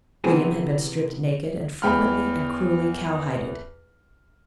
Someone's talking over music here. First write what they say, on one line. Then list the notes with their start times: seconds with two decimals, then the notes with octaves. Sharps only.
William had been stripped naked, and frequently and cruelly cowhided.
0.24 C3 E3 B3 C4 G#4
1.82 E2 G5 B5 F6